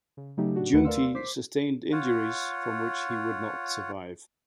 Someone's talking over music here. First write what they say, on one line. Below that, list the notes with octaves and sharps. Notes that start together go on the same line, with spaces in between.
Giunti sustained injuries from which he would not survive.
C#3
C#3 F#3 A3 D#4 G4
D4 F#4
D#2 D3 A3 B4 F#5 C#7
A#4 D5 F5 C6 E6
C5 D6 B6 C7
F4 C#5 F#5